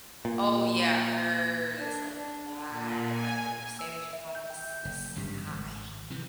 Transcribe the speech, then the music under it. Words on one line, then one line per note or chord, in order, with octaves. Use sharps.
Oh, yeah. I heard it's a lot. Like, the percentage of homeless is high.
A#2
D4
A#2
G#5
E6
E5
G6
G5
F#1
G#1 G2 C#3 G3
G#1
C3 E3